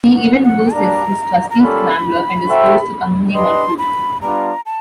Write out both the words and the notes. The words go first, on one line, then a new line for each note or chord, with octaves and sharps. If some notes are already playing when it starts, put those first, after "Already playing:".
He even loses his trusty Scrambler and is forced to continue on foot.
F#5
F#5
G3 A#3 D4 A#5
A#5
G3 A#3 C#4 F4 A4 B5
F#4 A4 C5 E5 G5
D4 G4 B4 D#5 C6
B5
G3 B3 D4 F4 A#5
A5